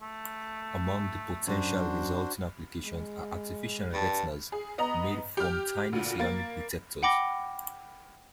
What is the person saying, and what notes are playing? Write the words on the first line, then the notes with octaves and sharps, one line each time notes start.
Among the potential resulting applications are artificial retinas made from tiny ceramic detectors.
A3
F#2 D4 F#4 C5
G#3
G2 A5
G#4
B3 D#5 A#5
G4 F6
D2 A#2
A#3 A6
F#5 G5 B5 D6 A#6 G7